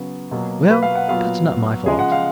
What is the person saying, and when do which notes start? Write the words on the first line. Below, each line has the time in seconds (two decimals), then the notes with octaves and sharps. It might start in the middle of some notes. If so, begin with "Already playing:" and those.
"Well, that's not my fault."
Already playing: C#3 F#3 B3
0.31 B2 F#3 A#3
0.71 B4
0.83 F5
0.95 F#5
1.08 A#2 F#3 B3 F5
1.85 C#3 F3 G#3 G#4
1.99 F#5
2.12 F5